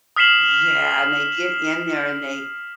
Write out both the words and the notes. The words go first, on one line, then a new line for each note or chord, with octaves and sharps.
Yeah and they get in there and they
D#6 F6 B6 C7 E7 F#7